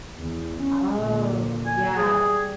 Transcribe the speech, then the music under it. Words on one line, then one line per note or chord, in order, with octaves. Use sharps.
Oh, yeah.
E2
C#4
A#2 D3
G#5
G3 G#4